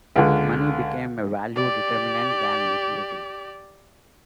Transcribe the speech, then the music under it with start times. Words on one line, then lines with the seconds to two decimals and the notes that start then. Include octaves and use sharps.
Money became a value-determinant than utility.
0.16 C#2 D3
1.56 G4 D5